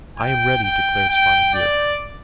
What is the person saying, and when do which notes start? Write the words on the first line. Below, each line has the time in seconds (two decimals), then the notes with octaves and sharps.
"I am ready," declared Spotted Deer.
0.18 G5
0.63 G5
1.09 G5
1.54 D5